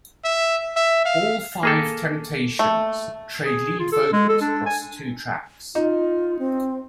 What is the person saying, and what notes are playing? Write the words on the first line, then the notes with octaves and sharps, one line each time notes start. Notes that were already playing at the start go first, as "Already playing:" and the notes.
All five Temptations trade lead vocals across the two tracks.
E5
E5
F5
A#3 G#4 A4
A3
G#4
F4
A4
G#3
A4
D4
G#5
D#4 F4
C4